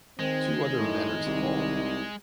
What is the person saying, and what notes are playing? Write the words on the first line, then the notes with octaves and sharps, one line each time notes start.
Two other manors evolved.
D#3 G#3 C4
A2 D#4
C2